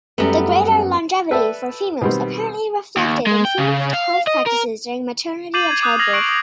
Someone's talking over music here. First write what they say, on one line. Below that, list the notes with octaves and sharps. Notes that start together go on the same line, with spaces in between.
The greater longevity for females apparently reflected improved health practices during maternity and childbirth.
F#2 G3 A3 B3
A4 B4 D5 E5 G5 A5
B2 D#3 G3 B3 C4
D#2
G#3
G5
C#3
F5
D#5
A#4
D6 G6 A6 C7 D#7 F#7
G#6
D6 D#6 F#6 G6 F7
F6 G#6 A#6 C7 F7 F#7
C#6 F#6 C7 D7 F#7
D#6